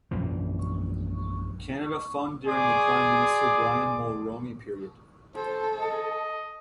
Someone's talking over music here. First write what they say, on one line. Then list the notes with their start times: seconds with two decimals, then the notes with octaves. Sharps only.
Canada Fund during the Prime Minister Brian Mulroney period.
0.11 A#1 F#2 E3 F3
2.46 G#4 D5 C6 D6
5.36 A4 C5
5.80 D#5